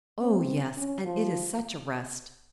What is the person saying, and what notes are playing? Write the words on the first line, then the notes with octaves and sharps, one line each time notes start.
'Oh yes! and it is such a rest.
C4
C#4
F3